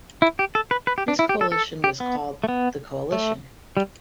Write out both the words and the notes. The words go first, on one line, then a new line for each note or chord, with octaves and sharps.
This coalition was called the Coalition.
E4
G4
A4
B4
B4
G4
D4
E4
G4
A4
A4
G4
B3
A3
B3
A3
G3